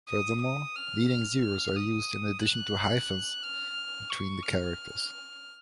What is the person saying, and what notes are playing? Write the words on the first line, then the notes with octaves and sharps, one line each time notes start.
Furthermore, leading zeroes are used in addition to hyphens between the characters.
D#6
D#6
F6
F6
F6
D#6
F#6
F6
C#6
F6